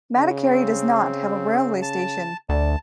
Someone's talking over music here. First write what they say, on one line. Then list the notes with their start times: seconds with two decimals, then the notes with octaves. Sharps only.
Madikeri does not have a railway station.
0.17 C#3
0.52 C4
1.82 A5
2.49 D2 D5 A5